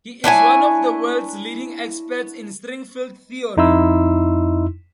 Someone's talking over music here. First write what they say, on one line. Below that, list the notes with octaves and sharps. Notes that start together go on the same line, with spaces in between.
He is one of the world's leading experts in string field theory.
D4 E4 C#5 G#5
F2 D#4 E4 C6 E6